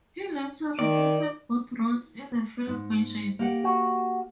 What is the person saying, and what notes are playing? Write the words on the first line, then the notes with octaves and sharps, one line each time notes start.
He later repeated both roles in the film versions.
D#3 D5
G#2
A#3 G4 F#5
F#4